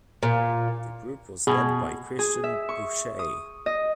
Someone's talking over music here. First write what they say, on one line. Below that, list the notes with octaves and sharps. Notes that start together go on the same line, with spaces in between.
The group was led by Christian Bouchet.
A#2
B2 G#4
G#4
E5
C#6
D#6
D#5